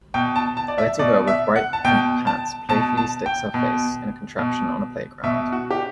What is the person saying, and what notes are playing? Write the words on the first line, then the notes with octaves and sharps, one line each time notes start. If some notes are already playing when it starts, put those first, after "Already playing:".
A little girl with bright pink pants playfully sticks her face in a contraption on a playground.
B2 G5
A5
A5
D5
E5
B2 D5
E5
F#5
A5
B2 G5
A5
B2 A5
A5
G5
B2
B2
B2 E5
F#4
G4